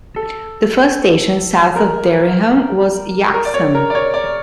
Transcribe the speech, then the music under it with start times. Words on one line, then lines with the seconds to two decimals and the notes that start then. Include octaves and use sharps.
The first station south of Dereham was Yaxham.
0.16 A4
1.76 A#4
3.34 A#4
3.45 D5
3.54 C#5
3.75 A#4
3.90 D5
3.95 C#5
4.14 D5